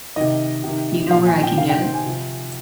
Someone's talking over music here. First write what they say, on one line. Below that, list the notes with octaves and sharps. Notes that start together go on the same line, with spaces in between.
You know where I can get it?
C3 D#3 D#5
C3 D#3
A#2 F3 F5
G#5
G5
C3 D#3 F5
G5
C5
G#5
C3 F3